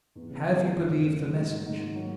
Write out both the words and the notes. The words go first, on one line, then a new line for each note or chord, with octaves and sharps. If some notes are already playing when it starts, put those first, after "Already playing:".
Have you believed the message?
E2
C#3
E2
G#3
F#2
C#3
A#3
F#3
G#2
D#3
G#2
A#3
F#3